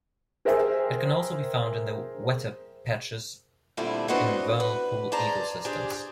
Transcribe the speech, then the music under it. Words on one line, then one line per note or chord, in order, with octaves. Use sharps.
It can also be found in the wetter patches in vernal pool ecosystems.
G#4 A#4 C5 E5 G5 G#5
A#2 D3 G3 A3 C4 E4
C4 D4 F#4 B4 D#5 F#5
B4
G#4 C5 D5 A5 A#5
D4 G4 G#4 C5